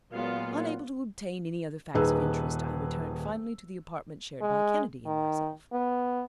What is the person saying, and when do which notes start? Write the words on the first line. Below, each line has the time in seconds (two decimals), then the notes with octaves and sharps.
Unable to obtain any other facts of interest, I returned finally to the apartment shared by Kennedy and myself.
0.12 A#2 F#3 G#3 B3 F4
1.94 D#1 D#4 G#4 B4 E6
4.41 G#3
5.06 D#3
5.72 B3